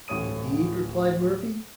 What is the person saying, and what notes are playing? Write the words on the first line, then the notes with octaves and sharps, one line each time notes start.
"Indeed!" replied Murphy.
D1 A1 A3 C#5 D#6 D#7